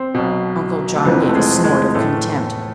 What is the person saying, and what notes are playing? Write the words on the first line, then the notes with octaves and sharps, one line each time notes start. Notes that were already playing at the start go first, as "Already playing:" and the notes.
Uncle John gave a snort of contempt.
Already playing: C4
B1 B2
A3
F1 F2 E3 B3
A3
G#3
G#3
A2 E3 A3